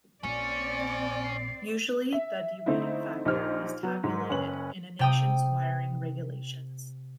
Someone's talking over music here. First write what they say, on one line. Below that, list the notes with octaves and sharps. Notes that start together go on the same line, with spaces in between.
Usually the derating factor is tabulated in a nation's wiring regulations.
A#1 A#2 C4 C#4 D5 C#7
C7
E5
D3 A3 C4 D#4 E4
A#1 D#4 G4 C5 F6
F#3 B3
G#2 F#3
F#1 C#4 B4 F#7
C3 G5 D#6